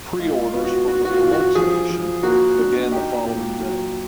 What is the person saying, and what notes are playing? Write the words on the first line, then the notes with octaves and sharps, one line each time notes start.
Preorders for the deluxe edition began the following day.
G#3 F4
F4
B3
F#4
B3 F#4
F#4
F4
E3
F#4
F3 G#4
F3
A#3 F#4
D4
D#4 G4
A#2
F#3